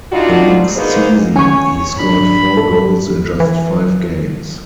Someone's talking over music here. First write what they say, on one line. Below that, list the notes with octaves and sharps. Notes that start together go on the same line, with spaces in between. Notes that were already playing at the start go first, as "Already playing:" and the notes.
The next season, he scored four goals in just five games.
G3 D4 D#4 F4 F#4
A#3 B3 D#4 G#4 C5
C#4 C#5 G#5 C#6
G#2 D4 B5
A4
E3